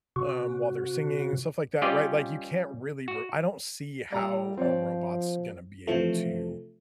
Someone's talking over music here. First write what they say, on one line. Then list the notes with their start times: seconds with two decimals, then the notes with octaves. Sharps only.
um, while they're singing, stuff like that, right? Like, you can't really r I don't see how a robot's gonna be able to
0.16 C3 F#4
1.82 G3 C#4 F4 G4 D5 D#5
3.08 F#4
4.12 G3 D5 A#5 E6
4.58 F3 C4 C#5 D5
5.87 C3 E3 F3 A3